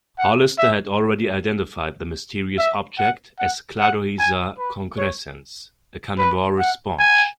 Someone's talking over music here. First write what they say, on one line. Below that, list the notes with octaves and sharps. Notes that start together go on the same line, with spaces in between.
Hollister had already identified the mysterious object as "Cladorhiza concrescens", a carnivorous sponge.
F#5
E5
E5
F#5
F#5
F#5
G#5
B4
C#5
B4
F#5
G#5